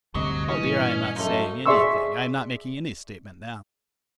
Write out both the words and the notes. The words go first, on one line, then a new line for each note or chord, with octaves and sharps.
Oh, dear, I am not saying anything, I am not making any statement now.
D2 G2 C3 F#3 D#5
G2 A#2 E3 C#4
F#2 A3 D#4 F4
G#4 D5 E5 C6 C#6 E6